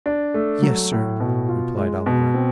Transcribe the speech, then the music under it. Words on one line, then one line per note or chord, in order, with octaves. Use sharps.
'Yes, sir,' replied Oliver.
D4
A3
F#3
A2
B2
F4
G#3
B2
C4